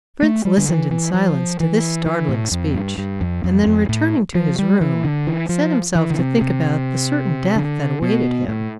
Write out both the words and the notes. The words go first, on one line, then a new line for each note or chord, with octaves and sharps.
The prince listened in silence to this startling speech, and then returning to his room set himself to think about the certain death that awaited him.
A3
G3
D3
E3
E3
F3
E3
E3
A2
F2
G2
G2
F2
F2
F2
A2
F3
G3
E3
D3
E3
F3
E3
D3
C3
C3
D3
B2
A2